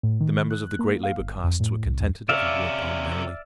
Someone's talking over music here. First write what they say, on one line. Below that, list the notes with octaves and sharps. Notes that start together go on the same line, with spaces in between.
The members of the great labor castes were contented and worked on merrily.
A2
D#3
F#6
A#3
F5
G1
F2
A2
C2
E2
C3 C#4 D5 E5 F5